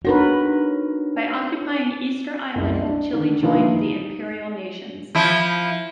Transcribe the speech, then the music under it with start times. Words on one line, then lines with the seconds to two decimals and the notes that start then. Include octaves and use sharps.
By occupying Easter Island, Chile joined the imperial nations.
0.05 D4 D#4 F#4 A#4 B4 C#5
2.55 F#1 C2
2.83 D4
3.13 D3 D#3
3.42 D3 D#3 F3 A#3 E4 B4
3.75 D#4
5.15 F3 E4